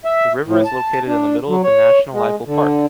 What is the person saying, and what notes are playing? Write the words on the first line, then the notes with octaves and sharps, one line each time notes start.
The river is located in the middle of the National Eifel Park.
E5
A2
A5
D4
F#3
C#5
G#3
D3